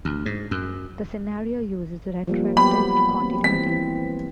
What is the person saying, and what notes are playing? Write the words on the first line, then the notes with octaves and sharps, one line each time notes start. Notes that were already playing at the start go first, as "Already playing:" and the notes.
The scenario uses retroactive continuity.
D2
G#2
F#2
F3 G3 A#3
F#3 B3 G4 B5
A#3 C4
E3 C4 B6